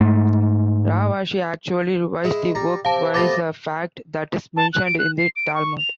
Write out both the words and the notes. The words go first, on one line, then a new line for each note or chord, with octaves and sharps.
Rav Ashi actually revised the work twice-a fact that is mentioned in the Talmud.
G#2 A3
G#3 E4
G3 A#5
C3 F5 A5
C3 A3 B3 D6 A6 A#6
A5
F#6
D7
F#6
C7
D7
C#6
F7